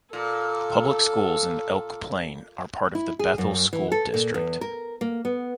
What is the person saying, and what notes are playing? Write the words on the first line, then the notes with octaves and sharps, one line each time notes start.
Public schools in Elk Plain are part of the Bethel School District.
A#2 A4
E4
G#4
F#2
E3
A4
A#2
E2
A#4
A#3
B3